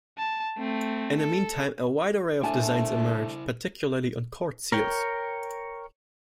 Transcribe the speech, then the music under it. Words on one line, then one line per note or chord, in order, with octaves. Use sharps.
In the meantime, a wide array of designs emerged, particularly on court seals.
A5
A3 C4
A4
A3 D4 E4 C5 G#5 A5
A#4 C#5 G5